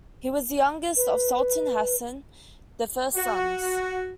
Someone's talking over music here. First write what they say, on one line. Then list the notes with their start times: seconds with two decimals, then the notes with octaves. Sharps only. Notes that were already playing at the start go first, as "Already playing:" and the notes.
He was the youngest of Sultan Hassan the First's sons.
0.97 B4
3.16 F#4